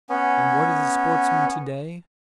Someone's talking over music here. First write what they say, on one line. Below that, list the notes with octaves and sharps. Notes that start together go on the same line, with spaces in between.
And what is a sportsman to-day?
B3 C#4